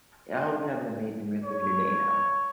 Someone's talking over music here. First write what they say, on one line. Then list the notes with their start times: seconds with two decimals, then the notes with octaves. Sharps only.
and I hope you have an amazing rest of your day now.
1.44 C#5